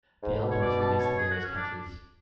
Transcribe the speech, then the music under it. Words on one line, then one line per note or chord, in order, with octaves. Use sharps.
The album was released in various countries.
G#2
A2
B2
C#5
D5
A5
C#5
G#4
F#4
C#4
D4